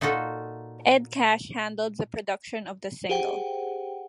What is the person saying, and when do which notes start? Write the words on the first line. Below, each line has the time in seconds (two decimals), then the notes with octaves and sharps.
Ed Cash handled the production of the single.
0.01 A#2 D#4 F4 F#4 A4
3.09 G4 G#4 C5 F#5 G5